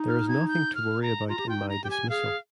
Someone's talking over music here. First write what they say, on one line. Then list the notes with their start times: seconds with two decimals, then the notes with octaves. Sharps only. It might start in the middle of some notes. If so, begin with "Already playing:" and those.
There is nothing to worry about in my dismissal.
Already playing: D#4
0.08 F6
0.29 G#6
0.48 G6
0.75 F6
1.02 A#5
1.28 F4 A#5
1.38 G4
1.47 F4
1.49 G5
1.56 D#4
1.69 A#5
1.83 G4 G5
1.90 G#5
2.10 G#4 F5
2.25 G#4